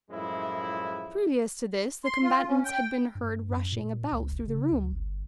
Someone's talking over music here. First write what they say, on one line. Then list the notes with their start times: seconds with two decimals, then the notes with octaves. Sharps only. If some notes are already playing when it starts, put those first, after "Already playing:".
Previous to this the combatants had been heard rushing about through the room.
0.10 F#2 A2 F3 G#3 E4
2.05 C6
2.23 F4
2.47 C#4
2.64 G5
3.15 G2
3.50 F#2
3.72 A#2
4.12 C#2
4.32 F1
4.48 C#3
4.72 D2
4.92 G1